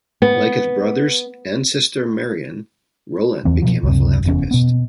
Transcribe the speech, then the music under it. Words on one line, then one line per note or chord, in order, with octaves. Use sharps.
Like his brothers and sister Marion, Rolland became a philanthropist.
B3
E2 E3 C4
B2 F3 F#3
C#2 F#2 C3
F1 E2 C#4
B2 B3